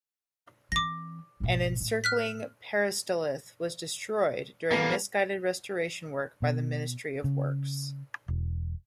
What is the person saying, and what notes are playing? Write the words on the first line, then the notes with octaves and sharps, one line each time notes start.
An encircling peristalith was destroyed during misguided restoration work by the Ministry of Works.
E3 C4 D6 A#6
G#1 B2
A2
F6 F#6 B6
E3 G3 A#3 B3 A4
B2
C#3
E1